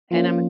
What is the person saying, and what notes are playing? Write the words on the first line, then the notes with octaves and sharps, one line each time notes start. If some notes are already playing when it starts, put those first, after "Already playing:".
and I'm a
F3 A#3 C#4 F4
F4